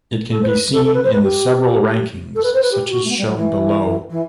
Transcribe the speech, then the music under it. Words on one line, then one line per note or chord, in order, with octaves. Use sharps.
It can be seen in the several rankings such as shown below.
A4
C5
B4
A4
A4
B4
C5
B4
G4
A4
B4
C5
B4
G4
F#4
A3
B3
G3
F#3
E3
E3